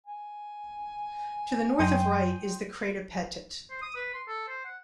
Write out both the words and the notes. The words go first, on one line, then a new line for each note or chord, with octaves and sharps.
To the north of Wright is the crater Pettit.
G#5
F#2 G5 C6 D#6
C5
D#6
B4
C6
A4
C5
F#5